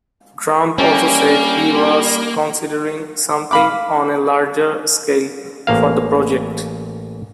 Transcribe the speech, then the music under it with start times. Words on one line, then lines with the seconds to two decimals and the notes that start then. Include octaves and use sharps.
Trump also said he was considering "something on a larger scale" for the project.
0.78 G3 A#3 C#4 E4 G4 D5
3.51 F5 B5 D6
5.67 A1 A#3 F5